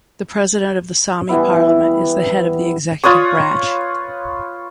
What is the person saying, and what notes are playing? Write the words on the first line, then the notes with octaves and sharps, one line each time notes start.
The President of the Sami Parliament is the head of the executive branch.
E3 G3 B3 E4
F4 B4 C#5 D#6